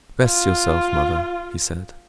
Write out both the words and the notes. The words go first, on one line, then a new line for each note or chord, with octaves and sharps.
"Rest yourself, mother," he said.
F4